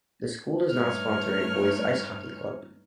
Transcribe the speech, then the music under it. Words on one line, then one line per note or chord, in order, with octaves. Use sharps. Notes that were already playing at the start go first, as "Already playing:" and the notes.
The school does not sponsor a boys ice hockey club.
G2 A3 D#4 B4 C#5 F6